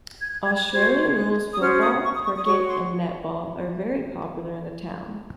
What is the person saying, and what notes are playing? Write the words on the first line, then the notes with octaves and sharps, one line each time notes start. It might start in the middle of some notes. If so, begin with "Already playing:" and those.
Australian rules football, cricket and netball are all very popular in the town.
G#6
F#6
G#6
F#6
F#4 C5 G#6
G#6
F#6
D#6
C#4 F#4 C5 F6
D#6
C#6
D#6
C#6
D#6
F#4 C#5 C#6
C6